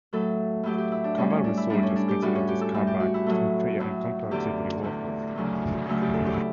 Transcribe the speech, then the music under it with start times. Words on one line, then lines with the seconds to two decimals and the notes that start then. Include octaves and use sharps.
Cavalry soldiers considered this carbine inferior and "comparatively worthless".
0.13 A2 F#3 A3 A4
0.63 A2 F#3 A3 G4
0.78 G4
0.92 E4
1.04 D4
1.18 A2 G3 C#4
1.30 C#4
1.44 D4
1.57 E4
1.70 A2 G3 D4
1.83 C#4
1.96 D4
2.09 G4
2.22 A2 G3 F#4
2.35 C#4
2.48 G4
2.61 A4
2.74 A2 G3
2.87 G4
3.00 F#4
3.14 E4
3.26 A2 F#3 A3
3.79 A2 F#3 A3
4.31 E2 D3 A3 G4
4.83 E2 D3 A3
5.36 D2 C#3 F#3 A3
5.85 D2 C#3 F#3 A3
6.01 G4
6.14 A4
6.26 G4
6.34 E4